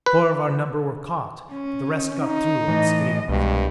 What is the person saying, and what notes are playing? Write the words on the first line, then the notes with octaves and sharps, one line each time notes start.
Four of our number were caught, but the rest got through unscathed.
B4
C#4
D#4
A2 E3 D#5
C2 G2 B2 G#3